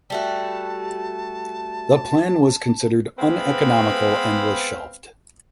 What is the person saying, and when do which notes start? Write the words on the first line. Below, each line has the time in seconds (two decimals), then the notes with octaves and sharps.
The plan was considered uneconomical and was shelved.
0.10 G3 A3 F#4 A5
3.18 G#3 B3 C4 B4 F5 B5